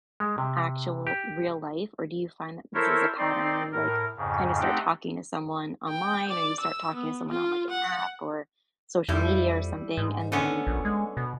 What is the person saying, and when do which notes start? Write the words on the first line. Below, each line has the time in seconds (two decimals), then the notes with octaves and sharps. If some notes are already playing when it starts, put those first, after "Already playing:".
actual real life, or do you find that this is a pattern where you, like, kinda start talking to someone online or you start talking to someone on, like, an app or social media or something, and then
0.20 G#3
0.38 C3
1.07 G4
2.74 E4 A4 A#4 C5 C#5 E5
3.17 C4 D#4 D5 C6
3.72 A2 A#4
4.17 F2 G#2 C#3
4.60 A3 C4 D#4 G4 F#5 G5
5.88 G5
6.30 D5
6.61 E6
6.95 B3
7.30 F4
7.70 F#5
9.09 F2 G3 E4
9.97 G#2
10.32 D3 B3 C#4
10.67 A#1
10.85 G#3
11.17 B2